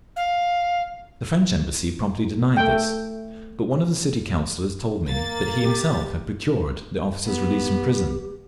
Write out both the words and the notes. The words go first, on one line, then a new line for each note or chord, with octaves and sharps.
The French Embassy promptly denied this, but one of the City Councillors told me that he himself had procured the officer's release from prison....
F5
A3 G5
A#3 A6
G4
B3 G4